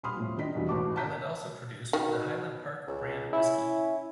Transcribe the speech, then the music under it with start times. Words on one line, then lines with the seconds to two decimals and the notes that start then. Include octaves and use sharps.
Highland also produced the Highland Park brand whisky.
0.03 D#1 B5 C6 D#6 F6
0.16 A2 F3
0.37 D#3 D4 D#5 B6
0.55 E2 G2 B2 E3
0.69 A1 G#2 F#4 A5 D6
0.96 A5 A#5 G6 B6
1.93 B2 D#3
2.87 C#2
3.33 C#4 E4